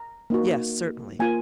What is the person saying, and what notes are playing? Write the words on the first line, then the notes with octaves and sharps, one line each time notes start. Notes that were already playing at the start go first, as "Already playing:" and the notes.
"Yes certainly."
Already playing: A#5
A#3 D#4 F#4
A#3 F4 G#5